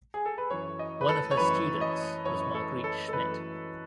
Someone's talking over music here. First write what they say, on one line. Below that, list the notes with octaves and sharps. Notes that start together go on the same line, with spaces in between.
One of her students was Margrit Schmidt.
G#4
A4
B4
F#2 E3 C#5
D#5
B4
A4
C#5
F#2 E3 B4
D#5
F#2 E3 C#5
A4
A4
A4
F#2 E3 B4